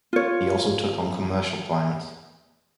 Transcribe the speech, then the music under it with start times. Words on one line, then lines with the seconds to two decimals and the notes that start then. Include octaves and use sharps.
He also took on commercial clients.
0.13 F4 C#5